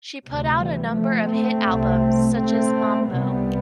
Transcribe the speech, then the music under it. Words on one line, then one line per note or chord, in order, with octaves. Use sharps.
She put out a number of hit albums, such as Mambo!
D2 C3
E3 G3
F3 A3
A3 C4
C2 C3
A3 C4
C2 C3 G3 B3